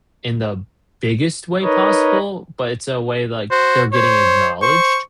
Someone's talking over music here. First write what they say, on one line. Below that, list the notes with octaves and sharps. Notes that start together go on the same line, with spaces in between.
in the biggest way possible, but it's a way, like, they're getting acknowledged.
D#4 A#4 B4 C#5 D#5
F#4 C5
C5 C#5
C5 C#6